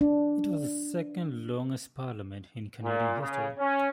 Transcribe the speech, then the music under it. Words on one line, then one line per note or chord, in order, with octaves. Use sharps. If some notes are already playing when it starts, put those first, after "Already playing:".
It was the second longest parliament in Canadian history.
D4
A#2
C#3
C#4